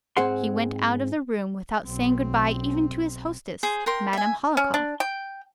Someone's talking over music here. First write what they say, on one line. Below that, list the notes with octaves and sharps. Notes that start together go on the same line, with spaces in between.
He went out of the room without saying good-by even to his hostess, Madame Hohlakov.
G#2 C4 G#4 F#5 C6
B1 C4
G#4 C5
A#4 G5 C6
E5 G#5
C#4
D4
G5